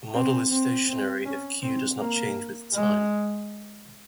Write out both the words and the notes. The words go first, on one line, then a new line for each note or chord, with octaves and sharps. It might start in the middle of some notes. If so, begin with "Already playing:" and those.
A model is stationary if "Q" does not change with time.
C4
C4
C4
C#4
C4
A#3
G#3